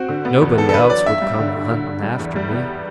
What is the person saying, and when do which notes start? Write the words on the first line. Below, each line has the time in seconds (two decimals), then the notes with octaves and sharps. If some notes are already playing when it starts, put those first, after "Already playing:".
Nobody else would come a-hunting after me.
Already playing: C4 F#4
0.08 D3
0.25 B3
0.42 E2
0.57 B3 A4
0.69 A4
0.73 D3 B4
0.89 F#3 D5
1.06 G2 E5
1.22 G3
1.39 D3
1.55 D3
1.71 D3
1.87 D3
2.03 G3
2.19 E2
2.36 G3
2.51 B3